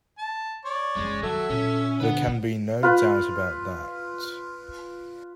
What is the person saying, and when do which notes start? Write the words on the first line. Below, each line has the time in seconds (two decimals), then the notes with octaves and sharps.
There can be no doubt about that.
0.18 A5
0.65 C#5 D5
0.96 F#1 E3 G#3
1.23 D#3 F#3 A4 E5
1.50 A#2 C#4
2.00 D3 B4 F#5
2.83 F4 B4